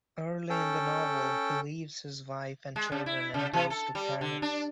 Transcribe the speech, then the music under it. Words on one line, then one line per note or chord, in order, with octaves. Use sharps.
Early in the novel, he leaves his wife and children and goes to Paris.
C#4 A4 G5
G#3
C#3
E4
C#3
E3
A4
G3
D3
D4